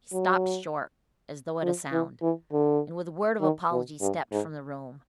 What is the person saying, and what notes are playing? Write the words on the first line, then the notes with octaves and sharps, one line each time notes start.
He stopped short, as though at a sound; and with a word of apology stepped from the room.
F#3
F3
E3
E3
D3
D#3
B2
G2
G#2